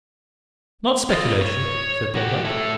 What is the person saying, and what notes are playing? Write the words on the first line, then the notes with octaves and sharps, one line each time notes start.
"Not speculation," said Thorndyke.
F4 D#5
C#5
F#4 G4
E4 A4